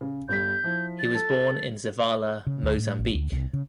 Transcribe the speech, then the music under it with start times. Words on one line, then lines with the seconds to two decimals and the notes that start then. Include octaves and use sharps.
He was born in Zavala, Mozambique.
0.01 C#3
0.28 G1 G3 G6 B6
0.63 F3 E4
0.99 A6
1.15 A4
2.47 C#3
2.63 D2
2.77 A2
2.99 A1
3.14 D2
3.32 C2
3.53 C#3